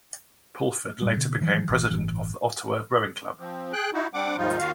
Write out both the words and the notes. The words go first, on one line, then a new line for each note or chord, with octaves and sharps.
Pulford later became president of the Ottawa Rowing Club.
A2 G3
B2 D3
D#3 E3 F#3 G3
G#1 A#2 E3
G1 A2 E3
F3 C4
G#4 G5 F#6
D#4 E4 F#4
G3 C4 D4 F#5 D6
D#2 G#2 F3 G3 D#4 F4
D#2 D#3 F4 F#4 F5